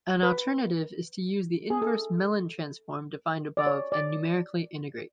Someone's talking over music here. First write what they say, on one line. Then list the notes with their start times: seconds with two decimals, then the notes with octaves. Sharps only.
An alternative is to use the inverse Mellin transform defined above and numerically integrate.
0.23 B4
1.70 G#4
1.82 A4
3.57 D5
3.67 C#5
3.92 D5